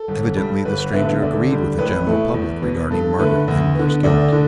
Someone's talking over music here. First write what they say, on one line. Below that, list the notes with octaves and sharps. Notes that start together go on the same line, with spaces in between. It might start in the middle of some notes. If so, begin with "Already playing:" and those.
Evidently the stranger agreed with the general public regarding Margaret Langmore's guilt.
Already playing: A4
G1
G2 G3
G1 B4
G2 D3 B3 B4 E5
D2 A4 D5
D3 G3
A1 B4
A2 A3
E2
B2 B3
G2 A4
D3 A3 B4
D2
D3 B3
D2 A4 D5
D3 A4